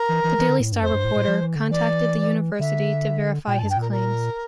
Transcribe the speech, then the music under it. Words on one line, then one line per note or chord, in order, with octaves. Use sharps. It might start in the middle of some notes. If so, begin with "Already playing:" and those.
The Daily Star reporter contacted the university to verify his claims.
Already playing: A#4
E3
E3
E3
D3
A2
G2
F2 C5
G2
A2
A2
F3
E3
D3
E3 D5
D3 E5
A#2 G5
A5
G2
G5
A#2 A#4
A#4